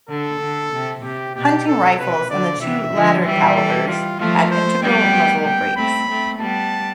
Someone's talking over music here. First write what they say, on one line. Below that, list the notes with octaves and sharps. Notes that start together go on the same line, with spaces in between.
Hunting rifles in the two latter calibers had integral muzzle brakes.
D3 A4
D3
C3
C3 G4
B2 G4
A4
C3 B4
D3 D5
C3 E3 E5
D3 F3
E3 G3 E5
A4
F4
F3 A3 F4
C5
G3 B3 G5
G5
A3 C4 B5
A3 C4
G3 B3 A5